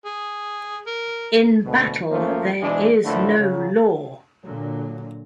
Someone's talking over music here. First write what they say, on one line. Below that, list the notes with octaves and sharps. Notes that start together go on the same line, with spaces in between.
In Battle There Is No Law!
G#4
A#4
D2 B2
F#2 F3 A3 A#3 C4 C#4
G#2 B2 E3 G#3 D4
F2 A2 D3 A3 A#3 E4
C#3 F#3
A#2 D3 F#3